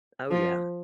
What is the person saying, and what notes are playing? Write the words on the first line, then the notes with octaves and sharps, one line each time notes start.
Oh, yeah.
F3